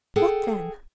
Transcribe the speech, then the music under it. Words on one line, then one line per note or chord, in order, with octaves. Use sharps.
"What then?"
G#4 A4 F#5 G5